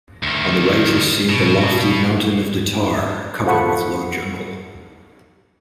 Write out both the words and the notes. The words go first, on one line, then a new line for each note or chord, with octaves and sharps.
On the right is seen the lofty mountain of Datar, covered with low jungle.
D2 D#3
B2
F4 A4 C5 F#5 B5 C#6